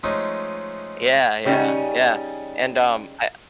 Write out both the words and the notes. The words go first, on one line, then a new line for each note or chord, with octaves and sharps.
Yeah, yeah, yeah, and, um, I
F3 G#3 A3 C#4 D#4 C#5
C#3 G3 C#4 D#4